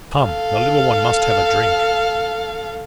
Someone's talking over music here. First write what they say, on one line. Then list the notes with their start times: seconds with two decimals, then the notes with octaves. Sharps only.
Come! the little one must have a drink.
0.20 A4 F5